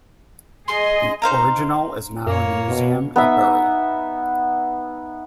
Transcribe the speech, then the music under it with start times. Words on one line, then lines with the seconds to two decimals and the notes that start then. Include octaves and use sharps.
The original is now in the museum at Bury.
0.67 G#4 D#5 C6
1.22 D#4 C5 F5 A#5
2.27 F#2 A#3 C#5
2.68 B2
3.16 B3 D#4 E5